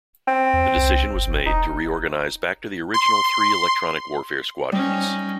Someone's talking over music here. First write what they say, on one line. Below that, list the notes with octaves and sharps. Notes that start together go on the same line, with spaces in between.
The decision was made to reorganize back to the original three electronic warfare squadrons.
C4
E2
C2
G1
E1 D#4
C6
G3 C#4 D#4